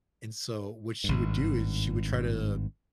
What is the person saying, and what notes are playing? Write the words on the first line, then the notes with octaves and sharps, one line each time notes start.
and, so, what she would do is she would try to
G#1 G2